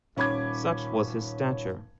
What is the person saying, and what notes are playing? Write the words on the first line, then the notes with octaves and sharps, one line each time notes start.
Such was his stature.
D#1 C#4 B5 D6 G#6